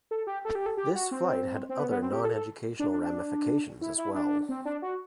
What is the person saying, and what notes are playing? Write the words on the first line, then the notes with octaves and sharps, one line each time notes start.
This flight had other, non-educational ramifications as well.
A4
G4
A4
G4
A4
G4
F#4
C4
C4
B3
B3
C4
G4
A4
A4
D4
D4
D4
E4
E4
D4
C4
D4
F#4